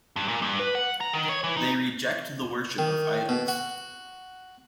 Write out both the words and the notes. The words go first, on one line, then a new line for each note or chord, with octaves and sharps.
They reject the worship of idols.
G2
A#2
G2
B4
F#5
A#5
D#3
C#5
E3
D#4
D#3
B2
F#4